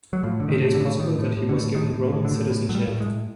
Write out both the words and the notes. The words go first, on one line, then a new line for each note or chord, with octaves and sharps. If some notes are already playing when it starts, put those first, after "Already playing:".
It is possible that he was given Roman citizenship.
F#3
A2 F3
A2 D3
D#3
A2
D3
A2
A2 D#3
A2
A2
D3
A2
A2 D#3
A2
A2
D3
A2
A2
A2 F#3
G3
A2
G#3
A2